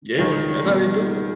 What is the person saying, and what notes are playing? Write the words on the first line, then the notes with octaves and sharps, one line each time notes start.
Yeah, that how they do it.
C#2 D#3
B2 G3